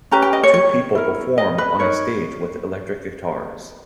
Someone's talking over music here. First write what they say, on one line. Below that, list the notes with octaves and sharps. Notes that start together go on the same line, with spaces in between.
Two people perform on a stage with electric guitars.
C#4 G4 B4 A#5
G5
D#5
C#5
C#5
E4 A#4
D#5
B4
D#4 A#4 C#5